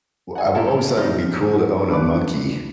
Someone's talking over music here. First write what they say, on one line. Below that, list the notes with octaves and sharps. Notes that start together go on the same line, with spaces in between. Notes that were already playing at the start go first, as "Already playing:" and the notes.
w I've always thought it'd be cool to own a monkey.
F#5 G#5
G4 A4 A#4 C#5 E5 F5
A2 C3 G3 D#4 F6
D4 B4 D6